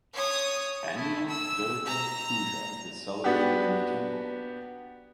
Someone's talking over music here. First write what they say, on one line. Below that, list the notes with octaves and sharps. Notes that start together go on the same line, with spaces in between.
Annual Durga Puja is celebrated in the temple.
C#5 D#6
A3 E4
E6
A#5
B3 D4 F#4 G4